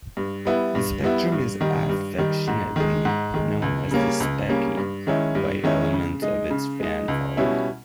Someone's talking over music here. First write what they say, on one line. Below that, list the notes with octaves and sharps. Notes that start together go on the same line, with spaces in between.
The Spectrum is affectionately known as the "Speccy" by elements of its fan following.
G2
G3 B3 E4
G2
G3 B3 E4
G2
D#3 G3
G2
D#3 G3
G#2
D#3 G#3
G#2
D#3 G#3
C#2
C#3 G3 A#3 C#4
C#2
C#3 G3 A#3 C#4
G2
D#3 G#3 C#4 E4
G2
D#3 G#3 C#4 E4
C#3
G#3 D#4
C#3
G#3 D#4
C#2
B2 G3 C#4 E4